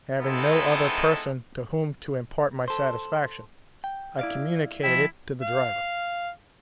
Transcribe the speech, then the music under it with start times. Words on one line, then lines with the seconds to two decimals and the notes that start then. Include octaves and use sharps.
Having no other person to whom to impart my satisfaction, I communicated it to the driver.
0.20 G#3 B3 C4 D#4 E4 A4
2.68 A4 C5
3.84 G5
4.19 E4 D5 F5
4.83 F3 E4 D#5 G5
5.42 F5